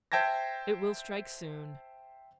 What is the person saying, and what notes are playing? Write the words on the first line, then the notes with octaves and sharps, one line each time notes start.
It will strike soon.
C5 E5 G5 A5 G#6 A#6